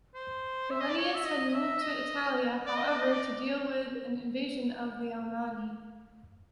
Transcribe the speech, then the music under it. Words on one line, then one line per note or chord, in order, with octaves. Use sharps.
Gallienus had moved to Italia, however, to deal with an invasion of the Alamanni.
C5
E5
D#5
D5
C#5
E5
D#5
D#5
E5
D#5
D5
D#5
D5
D#5
D5